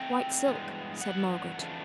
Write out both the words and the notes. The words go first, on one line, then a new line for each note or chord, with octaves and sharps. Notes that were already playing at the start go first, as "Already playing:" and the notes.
'White silk,' said Margaret.
Already playing: E3 A3 C4 D#4 G5
G2 E3 G#3 B3
G2 E3 B3 F#5
F2 C#3 E3 A3 D4